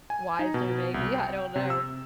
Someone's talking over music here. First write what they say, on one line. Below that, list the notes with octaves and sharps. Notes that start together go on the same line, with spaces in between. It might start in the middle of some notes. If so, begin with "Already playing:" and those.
wiser, maybe, I don't know
G#5
D#4
B2
C2
G5
C3
E6